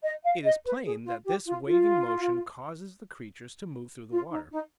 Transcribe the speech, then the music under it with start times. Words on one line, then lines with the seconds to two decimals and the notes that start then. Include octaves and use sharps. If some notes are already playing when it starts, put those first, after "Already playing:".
It is plain that this waving motion causes the creatures to move through the water.
0.03 D#5
0.23 F5
0.44 D#5
0.65 B4
0.84 G#4
1.05 F4
1.25 G4
1.46 F4
1.66 F4
4.10 F4
4.30 D#4
4.51 D#4